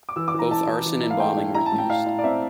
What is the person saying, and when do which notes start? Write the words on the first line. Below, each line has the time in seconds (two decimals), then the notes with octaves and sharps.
Both arson and bombing were used.
0.09 D6
0.16 E3 E6
0.28 D6
0.34 E3 A#5
0.51 E4 A5
0.68 E3
0.86 E3
1.03 E4
1.11 F5
1.20 A3 G5
1.37 E4
1.54 E4 A#5
1.66 A5
1.72 A2
1.79 G5
1.90 E4 F5
2.06 E4
2.18 D5
2.24 C4 E5